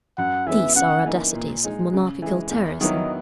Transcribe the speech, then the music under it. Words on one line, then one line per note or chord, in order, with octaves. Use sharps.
These are audacities of monarchical terrorism.
F#2 F#5
E3 G#3 B3 E5
C#3 F#5
E3 A#3 D#4
A#2
G#3 D#4
C#3
E3 G#3
E2
D#3 F#3 B3 E4 D#5